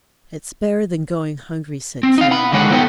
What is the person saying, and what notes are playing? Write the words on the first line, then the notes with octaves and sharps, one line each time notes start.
"It's better than going hungry," said Carrie.
C4
D#4 F5
F#5 B5
D3 D#3 G#3 C#5 F#5
B3 D#4 A4 B4 F#5 G5